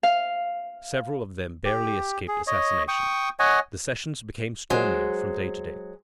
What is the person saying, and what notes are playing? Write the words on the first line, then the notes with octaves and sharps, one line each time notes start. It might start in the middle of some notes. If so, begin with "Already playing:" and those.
Several of them barely escaped assassination. The sessions became stormier from day to day.
F5
G4
G#4
C#5 D#5
G5 C#6 D#6
C#5 D#5 F#5 G#5
F#3 G#3 C5